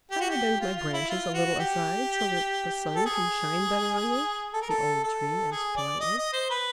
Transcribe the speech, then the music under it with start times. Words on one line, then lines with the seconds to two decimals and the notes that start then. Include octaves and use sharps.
"Shall I bend my branches a little aside so that the sun can shine better on you?" the Old Tree asked politely.
0.11 G4
0.20 F#4
0.30 G4
0.61 F4
0.76 F4
0.93 E4
1.09 F4
1.34 F#4
1.59 G4
2.96 A4
3.06 G#4
4.53 A4
4.61 A#4
4.69 A4
5.03 A4
5.52 G#4
5.77 D5
6.00 D#5
6.18 D#5
6.33 C5
6.50 B4